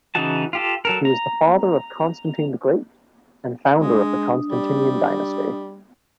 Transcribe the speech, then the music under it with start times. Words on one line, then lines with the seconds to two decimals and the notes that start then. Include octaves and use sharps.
He was the father of Constantine the Great and founder of the Constantinian dynasty.
0.15 C#3 E3 D#4 F#4 A5
0.53 F4 G4 A4
0.85 F#3 A4 A#4
1.05 A#5
3.80 G#3 D4 D#6
4.50 G3